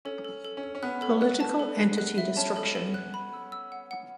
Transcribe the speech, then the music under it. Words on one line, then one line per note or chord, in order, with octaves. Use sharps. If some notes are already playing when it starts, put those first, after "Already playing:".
Political entity destruction.
C#4 A4
A4
A4
C#4
A4
C#4
B3 F#6
A4
F#6
A5
A4
F#6
F#6
E5
C#4 A5
A4
A4
F#6
B5
E6
E6
F#5
F#5